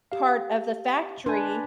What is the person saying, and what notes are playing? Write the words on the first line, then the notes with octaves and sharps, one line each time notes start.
part of the factory
G4 F5
D4 B4 G#5 C6